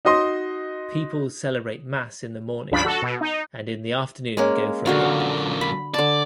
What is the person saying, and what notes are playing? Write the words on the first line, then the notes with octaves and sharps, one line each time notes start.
People celebrate mass in the morning, and in the afternoon go for a picnic.
D#4 F#4 D#5 C6 D#6
C#2 G2 F3 D4 B5 B6
F#4 A4
B2
D#4
G#3 A#3 C#4
F#2 A#2 D3 F#4 F5
B5
D3 D5 A5